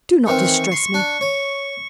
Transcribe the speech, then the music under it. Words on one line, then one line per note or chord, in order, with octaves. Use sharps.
Do not distress me.
D#3 E3 C4 C#6
C6
D4
C#5